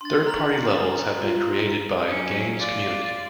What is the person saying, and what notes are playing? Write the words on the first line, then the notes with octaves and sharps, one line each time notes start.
Third party levels have been created by the game's community.
D4 C6 A6
A#5 F6 F#7
A#5
F4
F#3 C#4
F4 D5